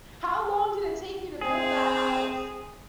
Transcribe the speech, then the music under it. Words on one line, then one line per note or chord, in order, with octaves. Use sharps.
How long did it take you to build that house?
C4 G#4